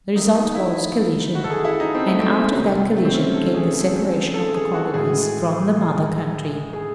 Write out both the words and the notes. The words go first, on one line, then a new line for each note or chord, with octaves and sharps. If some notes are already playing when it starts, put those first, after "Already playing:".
The result was, collision; and out of that collision came the separation of the colonies from the mother-country.
D#3 A3 D#4
D#4
E4
F#4
A4
G#4
E4
D#4
C4
A3
C4
C3 D#3 F#3
A3
C4
C#4
A4
G#4
G#4
A4
G#4
F#4
A2 G#3 G#4
G#4